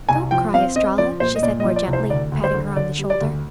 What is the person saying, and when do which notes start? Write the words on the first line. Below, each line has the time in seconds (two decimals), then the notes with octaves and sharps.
"Don't cry, Estralla," she said more gently, patting her on the shoulder.
0.09 C2 G#5
0.31 F3 G5
0.54 C4 F5
0.76 C4 D#5
0.98 F3 D5
1.20 A#2 C5
1.36 D#5
1.43 A#2 D5
1.60 D#5
1.65 F3
1.76 D5
1.88 C2
1.93 C5
2.10 D2 D5
2.32 D2
2.44 C5
2.54 D3
2.76 D3 D5
2.99 G3
3.10 D5
3.21 D2